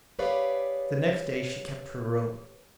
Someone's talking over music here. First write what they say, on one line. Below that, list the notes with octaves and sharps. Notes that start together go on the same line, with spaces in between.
The next day she kept her room.
G4 G#4 B4 C#5 D5 F5